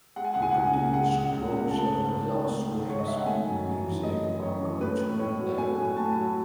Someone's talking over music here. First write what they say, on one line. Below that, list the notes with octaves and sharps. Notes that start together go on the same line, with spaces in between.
He produced most of Adult Swim's music on Cartoon Network.
G#3 F#5
G#5
C#2 F#5
G#5
C#2 F#5
C#3
G#3 F#5
C#2
C#2
C#3
A3 A5
G#2
G#2
D#3
A3
G#2
G#2 C#5
D#5
D#3 E5
F#5
A3 G#5
F#2
F#2
E3
A3 D#5
F#2
F#2 C#5
E3
A3 B4
A2
A2 C#5
F#3
A3 G#5
A2
A2 A5
F#3